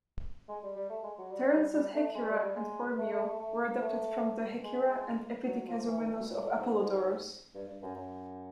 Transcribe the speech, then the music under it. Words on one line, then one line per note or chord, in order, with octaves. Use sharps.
Terence's "Hecyra" and "Phormio" were adapted from the "Hekyra" and "Epidikazomenos" of Apollodorus.
G#3
G3
G3
A3
G#3
F#3
G3
G3
G3
A3
G#3
G3
G3
G#3
A3
A3
A3
A3
A#3
A3
G#3
F#3
F3
E3
D#3
E3
B2
A#2
A2
G#2
G2
G2
F#2
F#2